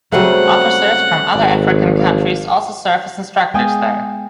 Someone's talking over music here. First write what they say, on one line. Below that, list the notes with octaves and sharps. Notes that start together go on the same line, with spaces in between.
Officers from other African countries also serve as instructors there.
C#3 F#3 G3 A3 C4 G#4 F#5
G#1 D5
D5 F5
G#3 B3 F5 G5 G#5 D#6